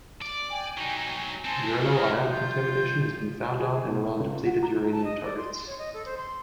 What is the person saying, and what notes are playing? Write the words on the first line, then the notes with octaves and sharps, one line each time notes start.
Uranyl ion contamination has been found on and around depleted uranium targets.
D5
G5 G#5
F#3 D#4
C4 D#4 G#5 A5 C6
C#5 D#6 F6
F3 G3 F4 G6
G#4
B2
C#2
F#4
A#5
A5
D#5
D5
C6
C6
C#5
D#5
A4
C5
C6